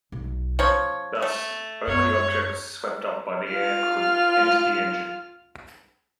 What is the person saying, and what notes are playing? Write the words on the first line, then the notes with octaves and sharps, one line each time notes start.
Thus, only small objects swept up by the air could enter the engine.
B1
F3 C#4 C#5
A3
F#2 C#5
F4 F6